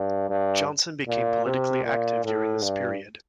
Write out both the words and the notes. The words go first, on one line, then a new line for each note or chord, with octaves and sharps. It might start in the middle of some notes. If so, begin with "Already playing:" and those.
Johnson became politically active during this period.
Already playing: G2
G2
A#2
C3
A#2
A2
G2